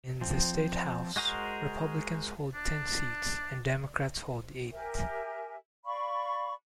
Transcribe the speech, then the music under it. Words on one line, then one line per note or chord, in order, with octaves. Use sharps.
In the state house, Republicans hold ten seats and Democrats hold eight.
F3 C4
G#3 F#4 G#4 A#4 C5
D4
G4 A#4 E5 G#5
D5 F5 B5 C#6